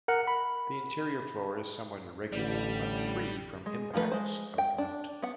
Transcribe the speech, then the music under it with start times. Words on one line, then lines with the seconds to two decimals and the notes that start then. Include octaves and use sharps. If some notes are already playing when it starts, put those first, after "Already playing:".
The interior floor is somewhat irregular, but free from impacts of note.
0.08 A#4 F#5
0.27 B5
2.32 A1 D3 G3
3.66 G#3
3.94 D#3 F3 A3 F4 B4
4.12 G#3 C5
4.58 G5
4.78 D4
5.22 B3 F#5